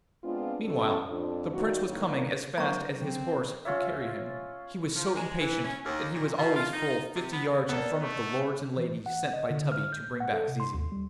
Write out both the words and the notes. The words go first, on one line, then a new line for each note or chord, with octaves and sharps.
Meanwhile the Prince was coming as fast as his horse could carry him. He was so impatient that he was always full fifty yards in front of the lords and ladies sent by Tubby to bring back Zizi.
G#3 B3 C4 D4 F4
E2 B2 A3 C#4 A4
F2 D4
D#3 G3 A#3 D#4 F#4
A2 D#3 F#3 A#3 D4 C#5
F#3 A#3 D4 C5 A#5 C#6
C4
C#4 F4 C#5 E5
F3
G#3
E3
C#4
D#2
A#2
B2
F4
D#4
C3
B3
A#3 B3 D4 A4
D#3 A3
E3
F#5
D#5
D3
F6
G6
F#5
A4
C3
C6
D#2
G3